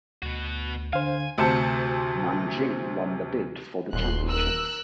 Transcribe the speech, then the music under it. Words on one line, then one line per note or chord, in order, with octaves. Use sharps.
Nanjing won the bid for the Championships.
D2 B2 F#4
D3 C5 F5 G#5
D2 C3 C5 A5 C#7
D#1 C6 F#6
A#4 E6 F#6